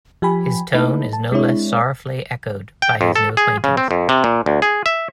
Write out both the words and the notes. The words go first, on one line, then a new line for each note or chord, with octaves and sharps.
His tone is no less sorrowfully echoed by his new acquaintance.
F3 G4 G#5 B5
A3 A#3 D#4 E4 A4 B4
A5
G#3 C4 D4 E4 C#5
G5
F2
A4
G#4
C#3
C4
F2
C3
A#2
D2
G#4
E5